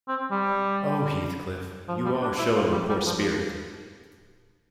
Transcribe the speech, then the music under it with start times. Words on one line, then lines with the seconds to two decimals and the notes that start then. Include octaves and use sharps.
Oh, Heathcliff, you are showing a poor spirit!
0.08 C4
0.31 G3
1.88 F3
2.05 G3
2.22 D4
2.39 E4
2.56 F4
2.72 G3
2.89 G3
3.06 F3